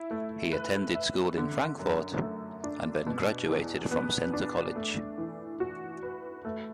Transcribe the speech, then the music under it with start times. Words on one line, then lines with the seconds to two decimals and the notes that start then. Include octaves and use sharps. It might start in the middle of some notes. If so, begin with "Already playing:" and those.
He attended school in Frankfort and then graduated from Centre College.
Already playing: E4
0.11 A3
0.53 B4
0.95 E5
1.37 D3
1.79 F#2
2.22 A3
2.64 D4
3.07 B2
3.48 E2
3.91 B3
4.33 D4
4.76 A3
5.18 E3
5.60 F#4
6.03 B4
6.45 A3